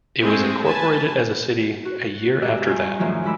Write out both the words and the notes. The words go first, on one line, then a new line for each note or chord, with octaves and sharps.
It was incorporated as a city a year after that.
G#3 A3 C4 G#4 A4
B4 G#5 A5
F#4
G#2 G4 D5 D#5 E6 F#6
G2 C#4 D#4 F4 G#5 G6
F#2 A2 D#3 F3 F#3
F2 G#3 E4 B5 D6 E6